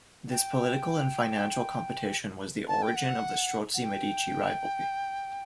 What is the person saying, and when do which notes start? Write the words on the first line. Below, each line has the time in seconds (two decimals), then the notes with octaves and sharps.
This political and financial competition was the origin of the Strozzi-Medici rivalry.
0.31 G5
2.68 A5
2.82 G5
2.96 F#5
3.74 F#5
3.84 G5